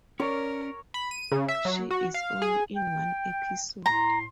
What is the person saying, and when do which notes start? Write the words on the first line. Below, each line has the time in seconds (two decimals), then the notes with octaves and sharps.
She is only in one episode.
0.20 C#4 A#4 C#5 D5
0.94 B5
1.11 D#7
1.32 C#3
1.48 E5
1.65 F#3
1.91 F#4
2.14 F5
2.42 G#4
2.75 G5
3.86 A2 A#5 C6